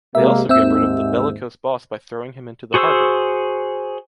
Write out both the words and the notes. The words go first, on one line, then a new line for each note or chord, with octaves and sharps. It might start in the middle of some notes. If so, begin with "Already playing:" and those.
They also get rid of the bellicose boss by throwing him into the harbor.
C3 G#3 A#3 E5
D#2 G#2 C4 E5 E6
F#4 G#4 C5 C#6 E6